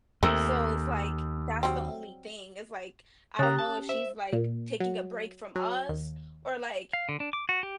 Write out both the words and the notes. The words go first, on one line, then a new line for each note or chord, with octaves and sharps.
so it's like, that's the only thing. It's like, I don't know if she's, like, taking a break from us or, like,
D#2 A3 C4 A#4
F#3 G3 C4
C#3 C#4 G4 A#5 D#6 F#6 A6
A5
C5 E5
A#2
F#3
F#3
D#2
F5
D3
D4
D6
F#4
G4